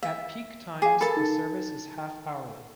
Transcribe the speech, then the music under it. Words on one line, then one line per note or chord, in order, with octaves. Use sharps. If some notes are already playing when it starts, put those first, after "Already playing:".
At peak times the service is half-hourly.
E5 F5
G#4 F5 D6
A4 A#4 A5 B5
D#4